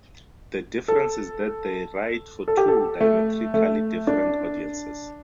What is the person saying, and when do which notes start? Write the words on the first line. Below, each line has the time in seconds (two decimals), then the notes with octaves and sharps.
The difference is that they write for two diametrically different audiences.
0.88 A4
2.48 A4
2.57 G4
2.68 A4
3.01 A3
3.54 A3
4.07 D4